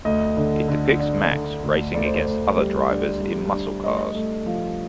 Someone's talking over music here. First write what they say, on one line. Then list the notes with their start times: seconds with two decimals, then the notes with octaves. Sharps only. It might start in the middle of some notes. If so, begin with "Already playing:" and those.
It depicts Max racing against other drivers in muscle cars.
0.05 D2 D#5
0.37 D3
0.68 D3
1.00 D4
1.32 D3
1.63 D2
1.94 D2 D5
2.05 C5
2.15 D5
2.26 D2
2.57 G3
2.89 D4
3.21 G3
3.52 D4
3.84 A3 D#5
4.15 A3
4.46 F3